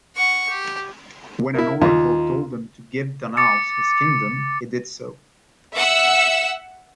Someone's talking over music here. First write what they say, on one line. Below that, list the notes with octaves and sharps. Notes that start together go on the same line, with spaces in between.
When an oracle told him to give Danaus his kingdom, he did so.
F#5 C#6
G4
A#3 E4
D#2 F4
D6 A6 C#7
E5 F#5 E6